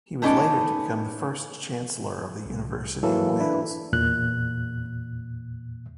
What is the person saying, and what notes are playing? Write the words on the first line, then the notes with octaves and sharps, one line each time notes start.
He was later to become the first Chancellor of the University of Wales.
A3 B3 C#4 D#4 A4 D5
C2
E3 F#3 A#3 E4 A4
D4 E4 B4
E2 A#2 F#6